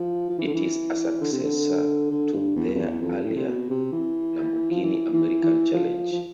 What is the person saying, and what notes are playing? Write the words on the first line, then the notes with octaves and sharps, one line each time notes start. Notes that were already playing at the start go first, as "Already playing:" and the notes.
It is a successor to their earlier "Lamborghini American Challenge".
Already playing: F3
F3
E3
D3
E3
D3
C3
D3
D3
G2
E2
F2
E2
F2
A2
C3
B2
C3
E3
F3
E3
E3
E3
F3
F3